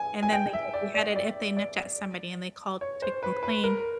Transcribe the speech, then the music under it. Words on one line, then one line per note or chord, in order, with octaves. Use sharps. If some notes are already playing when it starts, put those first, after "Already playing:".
and then they get beheaded if they nipped at somebody and they call to complain
Already playing: G#5
G#5
G5
E5
D5
D5
D5
D5
C#5
C5
B4
B4
A#4